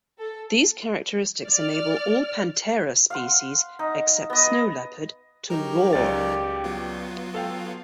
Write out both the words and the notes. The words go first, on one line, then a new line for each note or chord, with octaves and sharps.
These characteristics enable all "Panthera" species except snow leopard to roar.
A4
D5 F6
F5 F#5 C6
D#4
B3 D#5
F#3 D#4 G4 A#4
C#2 D5 A6
F#3 B3 F4
A4 F5 G5